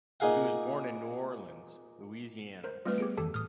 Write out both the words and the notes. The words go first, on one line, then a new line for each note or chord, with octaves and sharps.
She was born in New Orleans, Louisiana.
A#2 D#4 G#4 F5 F#5
A#4 C5
G3 A3 C4 F4 B4
B3 G4 G#4 D7
F2 D#3 E3 G4 A4 A5
A2 D#6 F6